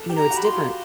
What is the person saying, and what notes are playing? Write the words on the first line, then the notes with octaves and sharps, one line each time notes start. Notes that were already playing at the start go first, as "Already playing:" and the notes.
you know, it's different
Already playing: A4
G4
A#5
F#4
B5
C6
F4